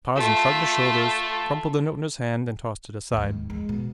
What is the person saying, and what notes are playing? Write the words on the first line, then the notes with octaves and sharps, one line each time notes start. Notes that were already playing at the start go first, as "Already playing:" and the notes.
Tarzan shrugged his shoulders, crumpled the note in his hand and tossed it aside.
A3 F4
D#2 G#2
G#3
B2